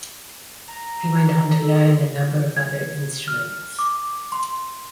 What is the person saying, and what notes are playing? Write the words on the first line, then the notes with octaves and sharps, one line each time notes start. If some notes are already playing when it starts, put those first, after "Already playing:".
He went on to learn a number of other instruments.
A#5
A4
G#6
F6
D6
C6